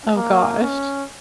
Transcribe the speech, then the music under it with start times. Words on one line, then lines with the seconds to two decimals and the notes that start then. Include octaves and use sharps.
Oh, gosh.
0.16 A#3
0.62 C#4